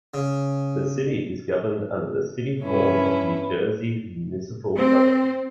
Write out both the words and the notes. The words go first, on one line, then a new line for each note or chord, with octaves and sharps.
The city is governed under the City form of New Jersey municipal government.
C#3
G2 C#4 E4 B4
C4